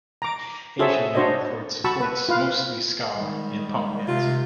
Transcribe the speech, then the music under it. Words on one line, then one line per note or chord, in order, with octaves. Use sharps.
Asian Man Records supports mostly ska and punk bands.
A#5 D6
F#4 G#4 A4 C5 C#5 E5
D4 F#4 C5 C#5 D#5
F#4 A5 B5 C#6 E6
B4
F4 B4 F5
D#3 G3 G#3
C3 F4